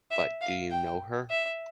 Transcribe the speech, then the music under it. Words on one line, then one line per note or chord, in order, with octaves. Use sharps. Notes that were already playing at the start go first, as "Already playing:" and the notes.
But do you know her?
E5
F5
G5
E5